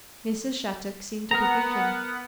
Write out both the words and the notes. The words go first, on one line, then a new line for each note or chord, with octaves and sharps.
Mrs. Shattuck seemed to be thinking.
B3 A#4 F#5 A#5